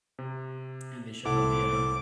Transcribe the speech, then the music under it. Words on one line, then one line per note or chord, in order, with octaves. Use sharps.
And they should've, but yeah.
C3
C2 C4 E4 A4 F#5 D6